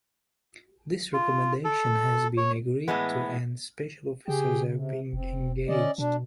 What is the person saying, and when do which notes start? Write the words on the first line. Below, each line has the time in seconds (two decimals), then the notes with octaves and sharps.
This recommendation has been agreed to and special officers have been engaged.
1.13 F4
1.65 A4
2.37 C#5
2.88 A2 E3 G#3 B3
4.28 C#3 G4 G#4 G5
4.74 C3
5.13 F1 C4
5.68 D3 C#4 D5 D#5
5.98 B2 D4